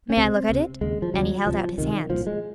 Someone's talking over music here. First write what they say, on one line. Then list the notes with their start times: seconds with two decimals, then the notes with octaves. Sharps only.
"May I look at it?" And he held out his hand.
0.10 C#4
0.17 C#2 C3 C4
0.49 C#2 C3
0.81 D#2 C#3 G#3
1.02 F3
1.14 D#2 C#3 F#3
1.46 C#2 C3 F3
1.78 C#2 C3 D#3
2.10 C2 A#2 F3
2.27 G#3